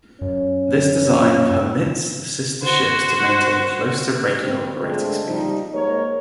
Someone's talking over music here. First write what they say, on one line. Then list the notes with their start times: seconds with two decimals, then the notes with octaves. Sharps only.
This design permits the sister ships to maintain close to regular operating speed.
0.22 F#2 C#4
2.63 F#4 C5
4.42 C4
4.79 D3 G#3 A3 C4 D4 F4
5.27 F3 G3 D#4
5.73 G#2 G#3 A#3 A#4 C#5